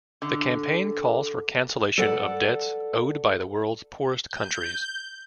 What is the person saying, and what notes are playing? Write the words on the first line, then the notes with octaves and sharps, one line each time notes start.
The campaign calls for cancellation of debts owed by the world's poorest countries.
D3
A4 B4 D5 F#5
G6